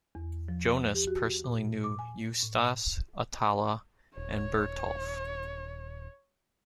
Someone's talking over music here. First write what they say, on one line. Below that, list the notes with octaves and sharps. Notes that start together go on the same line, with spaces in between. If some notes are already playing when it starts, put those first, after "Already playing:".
Jonas personally knew Eustace, Attala, and Bertulf.
E2
F3
G4
F#4
A#2
D6
G#5
A2
D#1 C#5